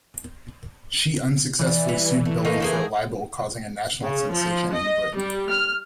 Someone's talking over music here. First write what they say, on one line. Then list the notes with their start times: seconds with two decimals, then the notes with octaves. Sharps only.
She unsuccessfully sued Billing for libel, causing a national sensation in Britain.
1.59 E3 D5
1.89 G3
2.25 A3
2.45 A3 A#3 D#4
2.60 A3 A#3 G#4
4.05 C#3
4.34 F3
4.74 D#5
5.17 G3
5.51 F6